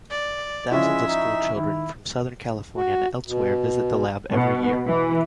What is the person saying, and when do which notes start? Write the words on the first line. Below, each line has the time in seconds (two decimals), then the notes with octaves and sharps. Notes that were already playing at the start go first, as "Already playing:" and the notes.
Thousands of schoolchildren from Southern California and elsewhere visit the lab every year.
0.11 D5
0.71 F3 G#3 C#4 E4 E5
1.08 D#4
1.56 D#3 E4
2.76 F#4
3.27 B2
4.32 B2
4.87 E3